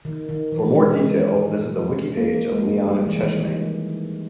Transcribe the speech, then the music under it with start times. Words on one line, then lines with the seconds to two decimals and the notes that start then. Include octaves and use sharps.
For more detail, visit the wikipage of Leon Chechemain.
0.05 D#3
0.29 D#3
0.52 E3
0.76 G#3
2.17 A#3
2.52 G#3
2.88 G3
3.06 E3
3.19 D#3
3.23 E3
3.41 D#3